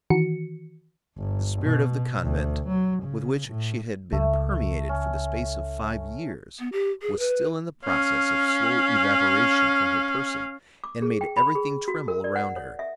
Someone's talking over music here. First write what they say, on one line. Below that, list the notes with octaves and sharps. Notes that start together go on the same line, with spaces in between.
The spirit of the convent, with which she had been permeated for the space of five years, was still in the process of slow evaporation from her person, and made everything tremble around her.
D#3 E3 F#4 C#7
G1
B2
D2
F#3
C#3
A2
C#2 A3
C#4
B3
G4
G#4
B4
C#4 F5
D6
G#4
G5
B5
G#4
F#4
A#4
D5
F#5
C#5
E5